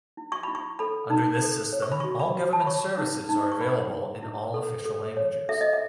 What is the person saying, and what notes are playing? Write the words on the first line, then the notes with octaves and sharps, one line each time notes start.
Under this system, all government services are available in all official languages.
E4
C#6
E4 B5
C#6
A4 B5
D#4
A4
C#5
C#6
B5
F#4 C#6
B5
F#4
A5
B5
C#5 C#6
D#4
D#4
C#6
B4 B5
E4
E4
A4
A4
C#5
A4 E5
D#5
E5